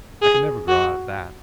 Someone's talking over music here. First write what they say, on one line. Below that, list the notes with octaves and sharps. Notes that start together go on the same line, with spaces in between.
I can never grow out of that.
G#4
F#4